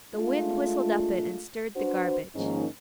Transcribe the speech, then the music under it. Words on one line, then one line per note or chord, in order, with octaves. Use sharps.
The wind whistled up it and stirred the garbage.
G#3 A3 D4 F4
D4 F#4 B4 C5
G#2 D#3 F3 A#3 C#4 D#4